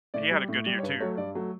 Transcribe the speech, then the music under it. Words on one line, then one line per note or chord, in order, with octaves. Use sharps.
he had a good year too.
A2 D5
G3
A2
G3
C#5
G2 B4
F#3 A3 C#5
G2 D5
F#3 A3